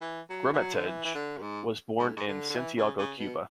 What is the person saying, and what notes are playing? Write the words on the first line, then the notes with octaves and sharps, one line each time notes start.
Gramatges was born in Santiago, Cuba.
E3
F#3
E3
F#3
D3
E3
E3
D3
F#2
G#2
G#2
A2
G#2
D3
D3
E3
C#3
C#3
B2